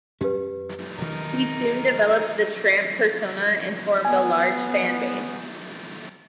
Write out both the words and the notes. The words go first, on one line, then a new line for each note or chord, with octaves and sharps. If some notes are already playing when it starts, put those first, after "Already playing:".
He soon developed the Tramp persona and formed a large fan base.
F#2 C#4 G4 B4
E1 D#3 D#4 A#4
B3 G#5